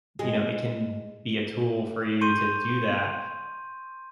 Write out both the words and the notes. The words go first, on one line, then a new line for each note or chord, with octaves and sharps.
you know, it can be a tool for you to do that.
G#3
C6 C#6 G6 D#7